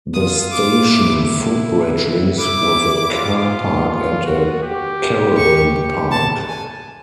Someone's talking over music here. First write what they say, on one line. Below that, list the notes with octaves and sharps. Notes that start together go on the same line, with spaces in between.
The station footbridge links with a car park and a caravan park.
F4 D#6
D6
E4
E4 D6
F4
F4
F#4
G4
C#6
A5
G#5